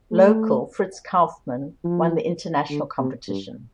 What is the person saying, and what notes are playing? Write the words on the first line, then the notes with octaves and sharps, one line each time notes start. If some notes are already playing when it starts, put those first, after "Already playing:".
Local Fritz Kaufmann won the international competition.
A3
F3
D3
C3
G2